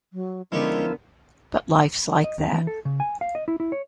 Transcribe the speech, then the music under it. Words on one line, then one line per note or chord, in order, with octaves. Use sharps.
But life's like that.
F#3
D3 F3 G#3 B3 C#4 E4 G4 A#4
D#5
D#2
E3
A4
C#3
G#5
F5
D#5
E4
E4
C#5